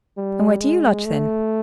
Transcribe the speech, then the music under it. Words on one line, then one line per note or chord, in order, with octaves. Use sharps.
"And where do you lodge, then?"
G3
G#3
A3